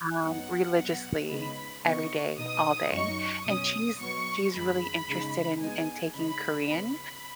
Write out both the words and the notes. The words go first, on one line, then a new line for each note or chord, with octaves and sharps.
um, religiously, every day, all day. And she's she's really interested in in taking Korean,
F#2 F#3 B3 D#4 F#5
B2 F#3 B3
C#3 G#3 B3 D#4 B5
C#3 B3 D#4 C#6
B2 B3 D#4 D#6
F#2 F#3 D#4 C#6
B2 F#3 C#4 D#6
B2 F#3 B3 C#6
F#2 D#3 G#3 B5
C#3 G#3 D#4
G#2 G#3 B3 D#4 G#5
C#3 G#3 D#4 B5
C#2 C#3 B3 B5